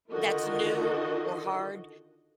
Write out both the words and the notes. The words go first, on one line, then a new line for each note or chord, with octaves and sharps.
"that's new or hard,
D3 D#3 F4 F#4 A#4 D#5